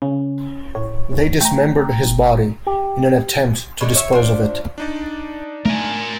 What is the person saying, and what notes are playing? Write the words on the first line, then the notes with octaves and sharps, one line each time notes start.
They dismembered his body in an attempt to dispose of it.
C#3 C#4
A2 C#5
D#2
A3 G5 A#5
F#1
G4
A2 D3 D#3
C#5 E5
F3 D4
D4 D#4 D5
A3 A#4 G#5